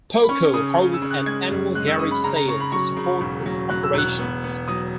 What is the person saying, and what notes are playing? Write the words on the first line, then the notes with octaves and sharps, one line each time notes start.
PoeCo holds an annual garage sale to support its operations.
B5
C#4 C#6
C#3 D#6
C#3
E6
C#3
F#6
G#3 G#6
F#2
G#3 F#6
E6
C#6
C#4 D#6
B5
C#3 A#5
A#5
C#3 C#6
B5
F#3 C#6
C#3
E1
F#3
F#3 F#6
E6
E1 F#6
B3
B3
F#3 D#6